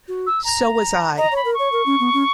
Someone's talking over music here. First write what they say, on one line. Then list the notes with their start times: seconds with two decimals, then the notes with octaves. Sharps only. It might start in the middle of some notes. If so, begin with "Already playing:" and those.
So was I.
0.08 F#4
0.27 E6
0.44 A#5
1.18 D#5 A#5
1.32 C#5
1.36 B5
1.45 A#4
1.54 C#5 C#6
1.72 A#4
1.86 C#4
2.00 B3
2.14 C#4